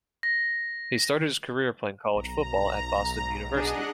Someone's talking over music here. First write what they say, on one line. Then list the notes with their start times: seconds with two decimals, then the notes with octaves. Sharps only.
He started his career playing college football at Boston University.
0.23 A#6
2.16 B1 A#5
3.55 D4 G#4 D#5 F#5 F#6